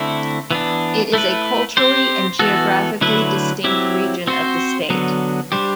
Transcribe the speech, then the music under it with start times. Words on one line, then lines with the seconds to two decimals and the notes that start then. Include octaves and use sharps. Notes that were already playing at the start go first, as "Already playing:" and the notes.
It is a culturally and geographically distinct region of the state.
Already playing: D3 A3 C4 E4
0.51 E3 B3 D4
1.13 A3 E4 B4
1.77 C4 G4 C5
2.39 E3 B3 F#4 A4
3.01 D3 F#3 A3 E4 B4
3.64 F#3 C4 E4 G4
4.27 C4 F#4 C5
4.90 D3 F#3 B3
5.52 G3 D4 G4 C5